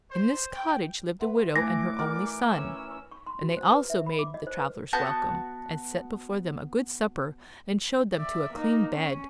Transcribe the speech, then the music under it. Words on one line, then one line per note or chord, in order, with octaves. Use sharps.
In this cottage lived a widow and her only son, and they also made the travellers welcome, and set before them a good supper and showed them to a clean bed.
C5
G5
B4 E5 F#5 C6
E3 A3 D6 A#6
A#4 D5 F#5
C#4 E6
C#6
C6
F#4
C5
B4
E5
B5
D6
D#5
C5
B4
B3 F#4 A5 G6
D5 E5
A#3 D#4
C#4